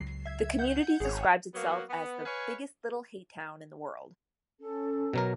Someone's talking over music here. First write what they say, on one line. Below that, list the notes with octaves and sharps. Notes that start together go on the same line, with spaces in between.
The community describes itself as the "Biggest Little Haytown in the World".
C#2 F#3 C7
E5 G#6
F#5 G6
G#1 G#4 C#5
F#3 A#3 B3 F#4
B3
B4 C#5 F5 G#5
C#4 A4
B2 F#3 A#4